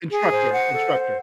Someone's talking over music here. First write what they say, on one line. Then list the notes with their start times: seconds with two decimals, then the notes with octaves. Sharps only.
Instructor, instructor.
0.12 G#4
0.32 C5
0.52 F#5
0.72 A4
0.92 C5